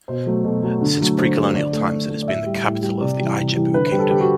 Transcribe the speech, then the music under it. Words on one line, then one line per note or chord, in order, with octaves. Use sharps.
Since pre-colonial times it has been the capital of the Ijebu kingdom.
B2 C5
F#3 A3
B2 A4
F#3 A3
D3
F#3 A3
D3 C5
F#3 A3
D3 D5
A3
D3
A3
D5
A2 E5
G3
A2
G3
C3 D5
E3 G3
C3
E3 G3
D3 B4
C5
G3
A4
D3 G4
F#4